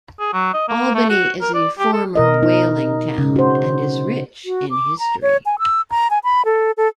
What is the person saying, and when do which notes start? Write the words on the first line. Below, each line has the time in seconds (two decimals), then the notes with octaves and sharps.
Albany is a former whaling town and is rich in history.
0.19 G#4
0.33 F#3
0.53 D#5
0.68 A#3
0.94 A3
1.09 F#4
1.41 A#4
1.54 D5
1.79 G4
1.93 A4
2.15 B2 A#4 D#5
2.43 D#4
3.18 C#3
3.36 F#4 C5
4.45 F#4
4.70 D6
4.99 A#5
5.22 C#5
5.46 G#5
5.59 E6
5.90 A#5
6.10 G#5
6.24 B5
6.45 A4
6.77 A4